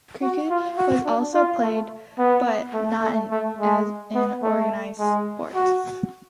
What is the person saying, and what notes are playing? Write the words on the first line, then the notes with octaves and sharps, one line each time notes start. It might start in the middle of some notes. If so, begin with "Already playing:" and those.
Cricket was also played but not as an organized sport.
F#4
F4
F#4
D4
F4
A3
B3
A3
A3
A3
G#3
B3
A3
G#3
F#4